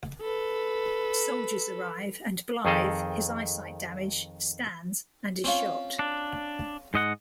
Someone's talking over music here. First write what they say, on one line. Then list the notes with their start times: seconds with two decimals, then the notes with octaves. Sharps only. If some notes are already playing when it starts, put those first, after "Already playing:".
Soldiers arrive and Blythe, his eyesight damaged, stands and is shot.
0.21 A4 B4
2.65 F2 D#3 G#4 A4 D#5 F5
5.44 C4 C#4 F4
5.99 D4
6.94 G#2 D#5 F#5